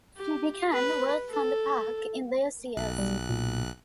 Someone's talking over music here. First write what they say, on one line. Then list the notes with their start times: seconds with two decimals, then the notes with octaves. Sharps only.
She began work on the park in those years.
0.17 G4
0.72 B4
1.30 A4
2.77 B1 F#6
2.99 G3
3.30 A#2